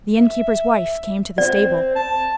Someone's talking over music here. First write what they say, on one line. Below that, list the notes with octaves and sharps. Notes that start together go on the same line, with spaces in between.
The inn-keeper's wife came to the stable.
E5
C4 D5
A5